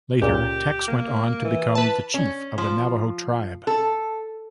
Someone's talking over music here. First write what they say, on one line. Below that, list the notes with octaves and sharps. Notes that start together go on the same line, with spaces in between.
Later, Tex himself went on to become the Chief of the Navajo tribe.
C#2 A#2 G4
A#3
E3
B4 A5
C#4
F3
A4